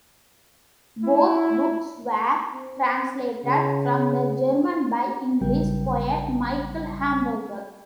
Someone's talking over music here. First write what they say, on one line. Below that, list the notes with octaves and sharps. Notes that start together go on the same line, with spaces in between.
Both books were translated from the German by English poet Michael Hamburger.
E4
C4
C#3
A1 C#3 F#3 G3 G5